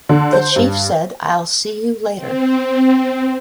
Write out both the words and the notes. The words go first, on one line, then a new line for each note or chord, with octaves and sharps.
The Chief said, 'I'll see you later.
D3
C5
G2
C4